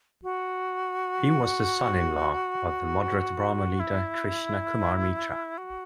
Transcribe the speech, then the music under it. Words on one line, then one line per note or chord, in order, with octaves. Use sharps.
He was the son-in-law of the moderate Brahmo leader, Krishna Kumar Mitra.
F#4
E4
F#4